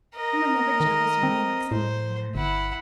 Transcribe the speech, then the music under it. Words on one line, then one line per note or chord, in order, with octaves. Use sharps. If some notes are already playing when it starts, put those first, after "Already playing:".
You were never jealous, or mean, like some of them were.
A#4 D#5
D#3
C4
A2 C5
G1 E4 F#5